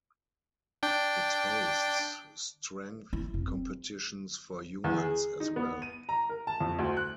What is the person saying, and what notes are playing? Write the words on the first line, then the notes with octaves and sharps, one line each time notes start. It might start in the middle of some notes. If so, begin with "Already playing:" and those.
It hosts strength competitions for humans as well.
D4 G5
E4
F1
C4
E2
G#4
D#4
B3
D#7
A#5
A#4
A5
F2
D2
F#6